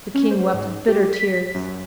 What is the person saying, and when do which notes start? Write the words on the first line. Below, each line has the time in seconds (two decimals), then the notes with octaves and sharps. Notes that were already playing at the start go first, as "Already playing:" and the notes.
The King wept bitter tears.
0.14 C#4
0.31 C5
0.53 G#2
0.88 G4
1.13 B6
1.54 F#2